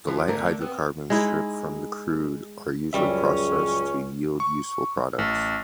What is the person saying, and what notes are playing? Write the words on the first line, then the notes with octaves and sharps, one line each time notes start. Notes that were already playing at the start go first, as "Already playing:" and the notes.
The light hydrocarbons stripped from the crude are usually processed to yield useful products.
E3 F3
D3 A3 A#4
B3 C4
G#3 D#4 E4
C#2 F#2 G3 C#4 E5
C#6
A1